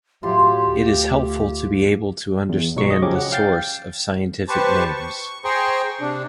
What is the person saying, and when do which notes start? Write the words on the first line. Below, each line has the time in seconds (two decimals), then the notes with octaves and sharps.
It is helpful to be able to understand the source of scientific names.
0.23 A2 F#3 F4 G4 C6
0.65 D2
2.49 E2
2.76 B1 F#3 G#3 C#6
2.90 D#5
3.02 C#3 F3 F#3 C#4 G4 D6
3.15 F#5
3.32 F5 G5 G6 A6 C7
4.49 G4 B4 C5 A5 C#6
4.96 C#6
5.44 G#4 C5 G5 A#5 C6 C#6
6.01 C3 D4